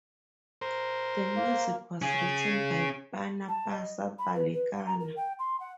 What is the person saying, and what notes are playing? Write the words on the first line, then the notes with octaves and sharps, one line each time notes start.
The music was written by Panapasa Balekana.
A#4 C5
A#3
C#4 G#4
A5
D#5
B5
B4
B4
F#5
A#5
A#4
G5
C6
F#5